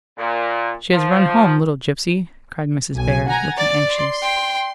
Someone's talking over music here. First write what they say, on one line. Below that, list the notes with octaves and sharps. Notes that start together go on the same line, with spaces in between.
"She has run home, little gypsy!" cried Mrs. Bhaer, looking anxious.
A#2
F3
B1 G#5
F#5 G#5 A#5
D5 A6
C6
G5